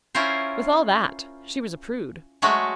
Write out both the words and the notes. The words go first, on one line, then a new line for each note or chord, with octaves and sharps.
With all that she was a prude.
C#4 E4 F4 A#4 C5
F#3 G#3 A3 F#4